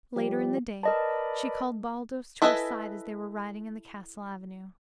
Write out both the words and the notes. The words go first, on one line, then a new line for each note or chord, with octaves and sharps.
Later in the day she called Baldos to her side as they were riding in the castle avenue.
F3 G3 G4
A#4 B4 D5 D#5 A5
E4 A4 B4 D#5 G#5